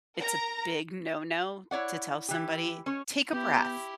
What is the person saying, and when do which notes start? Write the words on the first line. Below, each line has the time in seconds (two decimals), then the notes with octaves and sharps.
it's a big no-no to tell somebody, "Take a breath."
0.18 A#4 A#5
1.71 E4 C#5 D5 F#5
2.29 E3 G4
2.86 C#4 C#5
3.33 B3 E4 G4 G6